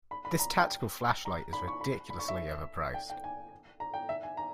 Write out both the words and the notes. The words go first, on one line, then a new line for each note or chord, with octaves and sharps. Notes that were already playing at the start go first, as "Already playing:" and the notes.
This tactical flashlight is ridiculously overpriced.
B5
B5
A#5
G5
A#5
B5
C#6
B5
B5
C#6
E5
G5
G5
G#5
A#5
G5
E5
G#5
A#5